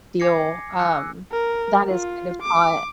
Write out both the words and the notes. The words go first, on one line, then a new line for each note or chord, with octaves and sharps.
deal, um, that is kind of taught.
G#5 D6 G#6 A#6 C7 C#7
G#5 D6 E6 F#6 C#7
A#4
F4
D6